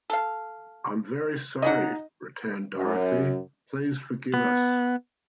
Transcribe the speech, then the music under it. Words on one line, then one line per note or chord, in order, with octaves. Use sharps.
"I'm very sorry," returned Dorothy; "please forgive us."
A4 F5
C#3 F#3 D#4 D#5 F#5
F#2
B3